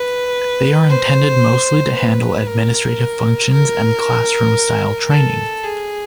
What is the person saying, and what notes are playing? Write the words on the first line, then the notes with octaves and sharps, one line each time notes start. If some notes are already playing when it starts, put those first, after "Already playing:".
They are intended mostly to handle administrative functions and classroom style training.
Already playing: B4
C5
B4
A#4
A#4
A4
G#4